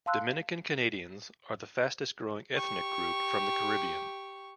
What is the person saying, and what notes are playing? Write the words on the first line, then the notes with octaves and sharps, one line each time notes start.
Dominican Canadians are the fastest growing ethnic group from the Caribbean.
F5 A5 C6 E6 F#6
G4 C#6